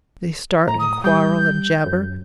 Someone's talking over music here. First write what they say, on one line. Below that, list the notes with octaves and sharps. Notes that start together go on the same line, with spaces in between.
They start and quarrel and jabber.
A2 A#5
D#6
G3 G6
F#2